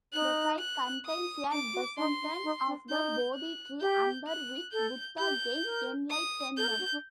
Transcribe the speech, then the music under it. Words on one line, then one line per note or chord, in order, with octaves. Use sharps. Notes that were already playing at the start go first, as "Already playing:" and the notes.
The site contains a descendant of the Bodhi Tree under which Buddha gained enlightenment.
D#4 F#6
F#6
D#6
D4 D6
F#4
D#4 C6
D4
D#4
D4
D#4 G6
F#6
G4 G6
F#6
A4 G6
G4 G6
A#4
D#6
A4 G6
A#4
A4
F#4
D4